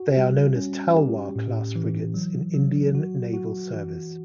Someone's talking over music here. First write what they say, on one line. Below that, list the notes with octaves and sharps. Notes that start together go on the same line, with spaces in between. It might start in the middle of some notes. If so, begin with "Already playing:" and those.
They are known as "Talwar"-class frigates in Indian naval service.
Already playing: F#4
G3
C#4
G4
A2
E3
F#3
F#3
F#4
F#4
E3